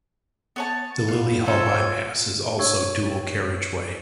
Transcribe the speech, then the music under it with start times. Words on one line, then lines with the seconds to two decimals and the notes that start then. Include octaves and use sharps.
The Lillyhall bypass is also dual carriageway.
0.56 B3 C#5 A5
1.08 B3 F5
1.46 C4 C#4 F4 A4 C#5
2.59 D4 G4 C#5 C#6 E6 G#6